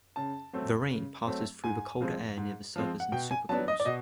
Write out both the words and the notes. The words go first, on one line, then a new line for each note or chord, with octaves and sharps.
The rain passes through colder air near the surface and supercools.
C#3 A5
F#3 A3 C4
C#3
F#3 A3 C4
G#2 G#5
F3 G#3 C4
G#2
F3 G#3 C4
F#5
B2 G5
G#5
F#3 B3 D4 A5
D#5
D5
B2 D#5